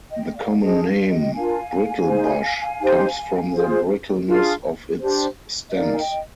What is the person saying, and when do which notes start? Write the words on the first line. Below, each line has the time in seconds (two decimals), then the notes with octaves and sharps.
The common name "brittlebush" comes from the brittleness of its stems.
0.11 D#5 G5
0.25 D#5
0.35 D5 F5
0.60 D4 G#4 C5 D#5
0.84 D5 F5
1.09 D#5 G5
1.33 D4 F4 A#4 F5 G#5
2.07 D#4 G#4 C5
2.80 D#4 G4 C5
3.54 F4 G#4 C5
4.27 D4 F4 G#4
5.01 D4 G4 C5
5.69 D#5
5.74 D#4 A#4 D5 F5
5.93 G#5
5.98 D#5 G5